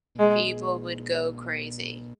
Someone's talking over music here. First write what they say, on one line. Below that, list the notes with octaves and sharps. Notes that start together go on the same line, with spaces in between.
People would go crazy.
G#3